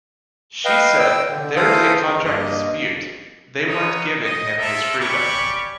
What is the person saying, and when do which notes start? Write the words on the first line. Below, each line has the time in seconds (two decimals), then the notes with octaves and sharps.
She said There's a contract dispute, they weren't giving him his freedom.
0.65 B4 D#5 F5 G5
1.00 G5 E6
1.29 D3
1.56 E3 A4 C5 F5 D#6
2.05 C#3
2.24 G2 A#3 D#5
3.67 B3 D#4 C#5 D#5 D#6
4.22 D#5
4.58 F4 A4 A#4 E5
4.99 C#4 G4 D5 B5 C#6